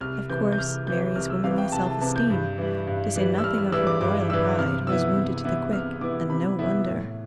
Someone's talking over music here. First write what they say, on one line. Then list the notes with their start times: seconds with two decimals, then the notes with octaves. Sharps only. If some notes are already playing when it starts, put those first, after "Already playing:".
Of course, Mary's womanly self-esteem, to say nothing of her royal pride, was wounded to the quick, and no wonder.
0.01 C2 F6
0.30 C3 E3 G6
0.52 G6
0.58 C2 F6
0.86 C3 E3 G6
1.15 C2 F6
1.30 E6
1.44 C3 E3 F5
1.58 G5
1.72 C2 A5
1.87 A5
2.01 C3 E3 A5
2.16 G6
2.30 G2
2.58 E3 G3
2.87 G2
3.16 E3 G3
3.38 E6
3.44 G2 F6
3.58 F6
3.72 E3 G3 E6
3.87 D6
4.01 G2 D6
4.30 E3 G3 E6
4.58 C3 F6
4.87 E3 B3 E4 E6
5.15 C3
5.45 E3 B3 E4
5.73 C3 F6
6.01 E3 B3 E4 D6
6.30 C3 B5
6.59 E3 B3 E4
6.87 A2